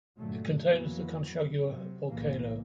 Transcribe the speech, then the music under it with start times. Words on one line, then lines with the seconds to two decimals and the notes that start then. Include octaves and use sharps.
It contains the Conchagua volcano.
0.19 G2 A#2 D3 F#3 A3
0.65 F2 E3 F#3 A#3 B3
1.67 C3 F#3
2.09 B1 F2 A2 C#3 E3 A#3